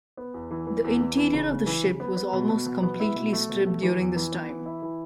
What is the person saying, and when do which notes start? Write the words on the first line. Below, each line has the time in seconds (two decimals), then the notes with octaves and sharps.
The interior of the ship was almost completely stripped during this time.
0.17 B3
0.34 E2
0.51 E3
0.67 E3
0.84 E2
1.00 E3
1.17 E3
1.33 C#3
1.50 C#3
1.66 E3
1.83 C#3
2.00 B3
2.17 B3
2.33 B2
2.50 B2
2.66 B2
2.83 B3
3.00 E4
3.16 B2
3.33 A3
3.49 B2
3.66 A3
3.82 E3
3.99 E2
4.16 E3
4.32 B3
4.49 E3
4.66 E4
4.82 E3